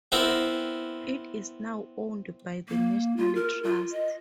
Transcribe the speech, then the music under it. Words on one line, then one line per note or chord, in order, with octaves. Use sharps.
It is now owned by the National Trust.
B3 C4 E4 A#4
A#3
F4
A#4
F4
D#5